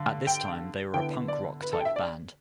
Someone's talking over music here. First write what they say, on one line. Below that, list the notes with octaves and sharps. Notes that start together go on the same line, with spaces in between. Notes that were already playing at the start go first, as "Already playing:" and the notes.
At this time they were a punk rock type band.
Already playing: G2 D3
G5
D3 B3 E4 G5
D5
B4
A4
G5
E5
D5